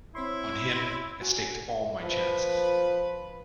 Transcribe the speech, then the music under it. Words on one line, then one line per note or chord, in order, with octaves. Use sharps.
On him I staked all my chances.
C4 E4 C#5 C6
F#4 F#5 G#5
F3 B4